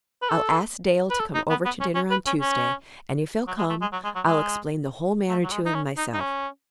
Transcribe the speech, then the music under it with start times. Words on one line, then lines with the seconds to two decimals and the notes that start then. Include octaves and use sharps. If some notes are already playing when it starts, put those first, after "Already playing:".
I'll ask Dale to come over to dinner on Tuesday; and if he'll come, I'll explain the whole matter to him myself.
0.22 B4
0.29 A4
1.10 B4
1.19 A4
1.34 D#4
1.50 B3
1.65 B3
1.80 C#4
1.95 C#4
2.10 B4
2.26 C#4
2.41 C#4
3.47 F#3
3.58 G#3
3.69 A3
3.81 G#3
3.92 F#3
4.04 G#3
4.15 F#3
4.26 G#3
5.29 A3
5.43 F#3
5.52 G#3
5.65 D#4
5.74 C#4
5.97 D#4
6.13 D#4
6.20 C#4